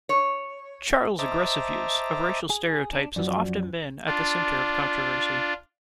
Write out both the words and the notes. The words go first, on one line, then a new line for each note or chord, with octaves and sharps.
Charles' aggressive use of racial stereotypes has often been at the center of controversy.
C#5
C5 D#5 E5 A5 A#5 D6
G#4 G#5
D4
F#2 F3 F#3 F#4 D5
D4 F4